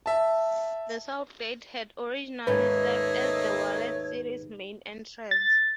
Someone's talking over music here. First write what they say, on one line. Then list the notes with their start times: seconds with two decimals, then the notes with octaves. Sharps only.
The South Gate had originally served as the Walled City's main entrance.
0.06 E5 A5
2.47 D#2 G#2 A3 A#3 C#4 B4 C#5 D#5
5.31 A6